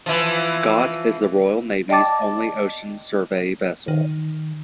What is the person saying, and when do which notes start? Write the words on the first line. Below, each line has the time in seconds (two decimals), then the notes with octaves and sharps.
"Scott" is the Royal Navy's only ocean survey vessel.
0.06 E3 F3
1.89 D5 D#5 G5 A5 D6 A6
3.88 D#3